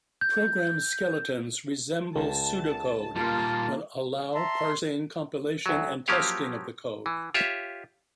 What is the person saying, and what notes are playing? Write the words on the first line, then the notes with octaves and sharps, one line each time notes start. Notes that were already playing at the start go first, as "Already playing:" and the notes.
Program skeletons resemble pseudocode, but allow parsing, compilation and testing of the code.
G6
C#2 A5
A#2 G3 A#3 F4 A5
E5 A5 A#5 C6
D2 F#3
F3 F#3 A#3 C#4 G4 F5
E3
F4 G4 C#5 E5